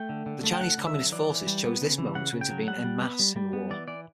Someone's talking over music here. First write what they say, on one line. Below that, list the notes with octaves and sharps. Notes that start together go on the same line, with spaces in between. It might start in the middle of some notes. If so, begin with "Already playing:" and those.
The Chinese Communist Forces choose this moment to intervene "en masse" in the war.
Already playing: A3 G5
D3
D3
A3
G5
D3 F#5
D3
E5
F#3
E3 D5
E3
G3
B3
C#3
E3
C#3 F#5
C#3
G5
F#3
G3 F#5
G3
B3
G3
G3
B3
E3 D5
E3 D5